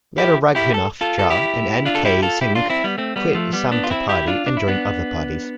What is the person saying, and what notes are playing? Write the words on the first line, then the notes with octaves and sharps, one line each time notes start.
Later Raghunath Jha and N. K. Singh quit Samta Party and joined other parties.
E4 G4
E4 G4
A4
F4 A4
A4
E4 G4
D4 F4
A4
E4 G4
F4 A4
E4 G4
D4 F4
C4 E4
G3 B3
A3 C4
G3 B3
F3 A3
G3 B3
B3 D4
F4
C4 E4
E4 G4
D4 F4
D4
E4
B3 D4